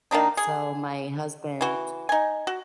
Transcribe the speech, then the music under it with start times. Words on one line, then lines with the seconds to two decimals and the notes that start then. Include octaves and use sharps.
so, my husband,
0.11 D#3 A#3 D4 D#4
0.37 G#4
1.61 E3 F#4
2.09 D#4 G#5
2.47 F#4